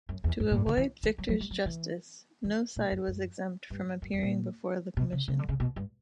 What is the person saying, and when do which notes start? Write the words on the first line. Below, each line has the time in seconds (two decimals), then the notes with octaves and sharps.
To avoid victor's justice, no side was exempt from appearing before the commission.
0.09 F#2
0.24 E2
0.40 G2
0.51 A#2
0.57 G2
0.66 D3
0.77 E3
1.03 E3
1.18 F#3
1.29 F#3
1.41 G3
1.51 F#3
1.66 E3
2.44 E3
2.76 A#2
2.92 F#2
3.08 F#2
3.70 G2
4.02 F#2
4.13 E2
4.23 A#2
4.97 B2
5.12 C#3
5.28 C#3
5.39 D3
5.49 C#3
5.60 B2
5.76 G2